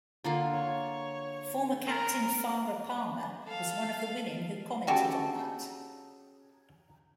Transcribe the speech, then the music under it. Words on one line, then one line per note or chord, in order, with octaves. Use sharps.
Former captain Farah Palmer was one of the women who commented on that.
D3 A#3 F4
C#5
A#4
A4 F5
C#3 F#4 G4 A4